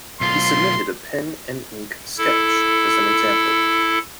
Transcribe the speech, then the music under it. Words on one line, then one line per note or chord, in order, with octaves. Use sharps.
He submitted a pen-and-ink sketch as an example.
B1 F4 C6
E4 A4